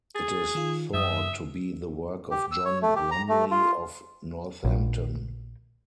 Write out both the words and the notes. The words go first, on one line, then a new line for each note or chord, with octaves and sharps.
It is thought to be the work of John Lumley of Northampton.
G#4 A6
D#3 F4
F#2 E5 D#6
G4
E6
C#5
A3
G4
A#5
A3
F4
A#1